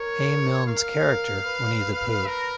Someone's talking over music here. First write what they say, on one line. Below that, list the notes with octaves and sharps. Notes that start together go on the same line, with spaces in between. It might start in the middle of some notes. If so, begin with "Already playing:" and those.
A. Milne's character, Winnie-the-Pooh.
Already playing: A#4 C#5
A#4 F5
A#4
B4
A#4